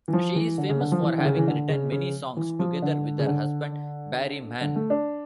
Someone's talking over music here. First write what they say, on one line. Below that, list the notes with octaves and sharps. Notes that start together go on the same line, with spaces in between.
She is famous for having written many songs together with her husband Barry Mann.
E3
F3
E3
D3
C#3
D3
F3
E3
D3
C#3
E3
D3
C#3
C#3
E3
F3
D3
C#3
D3
D3
A3
D4